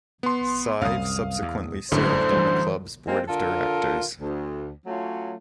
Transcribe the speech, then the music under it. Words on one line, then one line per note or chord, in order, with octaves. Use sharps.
Sive subsequently served on the Club's Board of Directors.
B3 C6
C2 F#2 F5 D#6
E2
G1 F#2 A2 D3 C5
E3 G3
G#3 A#3 C4
D3 F4 A4 A#4
D2
F#3 A3 C#4 F4